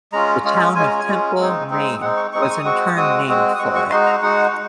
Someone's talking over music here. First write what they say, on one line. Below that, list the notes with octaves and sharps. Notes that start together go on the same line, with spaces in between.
The town of Temple, Maine was in turn named for it.
G#3 C#4 F4 A#5
G#3 C#4 F4
G#3 C#4 F4 G#5
A#5
G#5
G#3 C#4 F4
G#3 C4 D#4
G#3 C4 D#4
G#3 C4 D#4 F#5
C#6
G#3 C4 D#4 C#6
D#6
C#6
D#6
G#3 C4 F#4 C#6
G#3 C4 F#4 D#6
G#3 C4 F#4
D#6
G#3 C4 F#4 C#6
C#6
G#3 D#4 F#4 C6
A#5
G#3 D#4 F#4 F#5